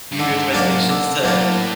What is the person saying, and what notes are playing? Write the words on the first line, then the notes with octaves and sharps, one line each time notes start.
New Year's resolutions to
G2
G#2 D3
F#3 A#3 D4
D3
A2 F#3 A#3 D4